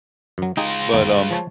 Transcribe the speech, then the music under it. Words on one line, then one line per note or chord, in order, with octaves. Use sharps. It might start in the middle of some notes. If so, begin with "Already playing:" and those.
but, um,
F#2 F#3
G#3 D#4 F4 G4 G#4
G1 D#2 A#3
F3 C#5 A5